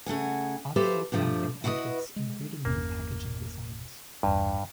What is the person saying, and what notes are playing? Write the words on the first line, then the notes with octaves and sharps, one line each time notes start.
Other rebranding efforts included new packaging designs.
C#3 A3 F#5 G#5
G4 A4 B4 C5 E5 F5
G2 C3 F3 A3
E4 F#4 B4 C5 D#5
G#3
G1 E2 A#3 C#4
A1 E2 G2